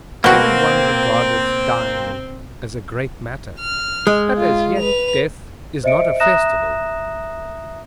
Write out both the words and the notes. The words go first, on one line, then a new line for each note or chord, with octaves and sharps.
Every one regardeth dying as a great matter: but as yet death is not a festival.
B2 A#3 C4 F#4
F6
G#3
F4
B4 F7
C5 D#5 E5 C#7 D7
E5 A#5 D#6 F#6 A#6 E7